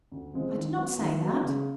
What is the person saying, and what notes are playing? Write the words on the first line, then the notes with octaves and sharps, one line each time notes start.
"I did not say that."
D2
C3 F3 G#3 C4
D#3
F#3 B3
D#3
F#3 B3
C#3